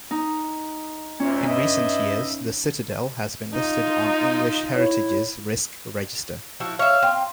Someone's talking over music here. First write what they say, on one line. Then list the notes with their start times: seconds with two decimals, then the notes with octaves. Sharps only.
In recent years the Citadel has been listed on English Heritage's Risk Register.
0.11 D#4
1.20 D2 A#2 C#4
1.48 G2 D#5 E5
3.54 D#4 F4
4.75 E4 C#5
6.60 F3 E4 F#4
6.79 C#5 E5 F5
7.02 C4